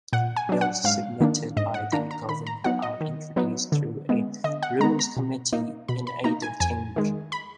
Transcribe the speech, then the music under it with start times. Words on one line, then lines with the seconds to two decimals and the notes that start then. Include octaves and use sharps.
Bills submitted by the governor are introduced through a Rules Committee in either chamber.
0.13 A#2 F#5
0.36 G#5
0.49 F#3 D4
0.61 F#5
0.84 G#2 F5
1.21 D#3 A#3 D4
1.57 G#2 D#5
1.74 F#5
1.92 D#3 A#3 D4 A#5
2.11 A#5
2.29 D#3 B5
2.47 A#5
2.64 F#3 B3 D#4 F#5
2.82 D#5
3.01 D#3
3.36 F#3 B3 D#4
3.72 D3
4.09 G#3 B3
4.44 D3 D#5
4.63 F#5
4.80 G#3 B3 A#5
4.99 A#5
5.17 B2
5.53 A#3 D#4
5.88 B2 B5
6.07 B5
6.24 A#3 D#4 A#5
6.42 G#5
6.60 F2 G#5
6.96 D#3 G#3
7.32 B5